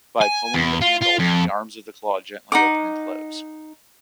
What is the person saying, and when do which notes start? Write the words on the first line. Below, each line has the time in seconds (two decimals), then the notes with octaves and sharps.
By pulling the handle, the arms of the claw gently open and close.
0.21 G#5
0.54 E2
0.81 F4
1.01 F4
1.19 F2
2.52 D#4 F#5 D6